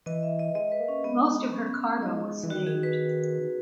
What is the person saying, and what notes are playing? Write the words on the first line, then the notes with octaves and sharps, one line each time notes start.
Most of her cargo was saved.
E3 D#5
E5
D#5
G#3 D#5
B4
A#3
C#4
G#3 B3
C#4
A#3
G#3 D#4
E3
D#3 F#4
G#4
B4